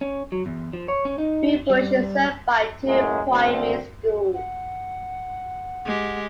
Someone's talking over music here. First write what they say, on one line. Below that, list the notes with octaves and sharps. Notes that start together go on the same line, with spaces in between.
Bewbush is served by two Primary schools.
C#4
F#3
E2
F3
C#5
C#4
D#4
G3
C#2 F#2 A2 F#3 G#3 A#3
D2 C4
F#5
G#3 G4